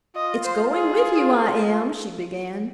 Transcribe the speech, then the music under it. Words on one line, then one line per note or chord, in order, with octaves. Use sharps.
"It's going with you I am," she began.
F4 D#5
C5
G#4